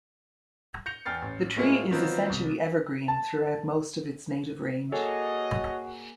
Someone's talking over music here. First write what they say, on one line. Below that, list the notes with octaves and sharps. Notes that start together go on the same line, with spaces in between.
The tree is essentially evergreen throughout most of its native range.
G6 A#6 C#7 F7
E2 G5 F6 A6 C7
A1
A2 G#3 A#3 E4 F4 G#4
D#3 F3 F#3 B3 C4 F4
C2
A5
A#3 F#4 G#4 A4 C#5 D#5